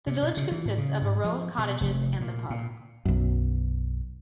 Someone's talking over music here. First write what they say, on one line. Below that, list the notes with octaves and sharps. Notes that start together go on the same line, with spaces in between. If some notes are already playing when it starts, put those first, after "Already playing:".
The village consists of a row of cottages and the pub.
C3
B2
C#3
E3
A2
C#3
G#2
F3
B2
F1
A#2
A#2
B1 F#2